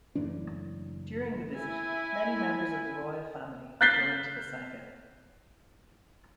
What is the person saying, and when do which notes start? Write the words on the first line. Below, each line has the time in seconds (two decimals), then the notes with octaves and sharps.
During the visit, many members of the royal family joined the sangha.
0.15 F#1 A2 E3 D4
1.56 E4 G#5
3.81 F#6 G6 A6 B6 C7 G7